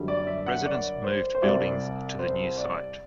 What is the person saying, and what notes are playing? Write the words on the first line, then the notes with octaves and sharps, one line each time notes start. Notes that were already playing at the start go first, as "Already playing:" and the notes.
Residents moved buildings to the new site.
Already playing: F#2 D3 G3
D5
E5
F#5
D5
C5
C5
C2 C3 G3 D5
C5
D5